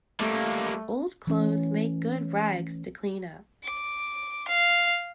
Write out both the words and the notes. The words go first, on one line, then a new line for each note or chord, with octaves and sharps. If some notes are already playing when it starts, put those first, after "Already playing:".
Old clothes make good rags to clean-up.
G3 A3 A#3
E3 A3 C#4
D6
F5